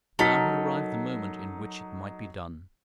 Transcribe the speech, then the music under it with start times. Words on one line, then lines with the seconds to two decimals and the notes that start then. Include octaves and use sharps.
Now had arrived the moment in which it might be done.
0.19 F#3 D#4 A4 A#4 B6